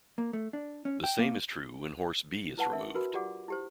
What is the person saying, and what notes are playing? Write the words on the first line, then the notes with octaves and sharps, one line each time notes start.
The same is true when horse B is removed.
A#3
A3
D4
C#4
G5
A#3
E4 B4 F#5 A5
D4 A#4 E5
F#4 A#4 B4 B5
F4 G4 D5 F#5 D6
E4 G4 C5